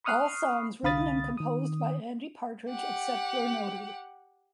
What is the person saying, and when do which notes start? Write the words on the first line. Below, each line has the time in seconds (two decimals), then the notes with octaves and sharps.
All songs written and composed by Andy Partridge, except where noted.
0.04 B5 C#6 D#6 F6 F#6 C7
0.83 C2 D3 F5 B5 D#6 A6
1.37 D#3 D#6
2.70 G4 F#5